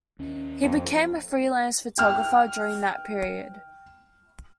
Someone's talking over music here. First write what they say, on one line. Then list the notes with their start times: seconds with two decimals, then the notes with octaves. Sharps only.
He became a free-lance photographer during that period.
0.19 D#2 C#4
0.64 F2
1.98 G5 F6